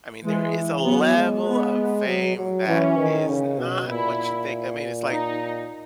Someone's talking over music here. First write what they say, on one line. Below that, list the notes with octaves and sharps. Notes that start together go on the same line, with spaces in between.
I mean, there is a level of fame that is not what you think, I mean, it's like,
E3 G#3
F#3 B3
G#3
B3
F#3
F#3
E3 C#4
D#3
C#3
B2
A#2 E4
D#4